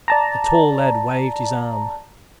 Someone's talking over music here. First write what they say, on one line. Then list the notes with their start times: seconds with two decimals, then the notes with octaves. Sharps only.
The tall lad waved his arm.
0.08 D5 A5 A#5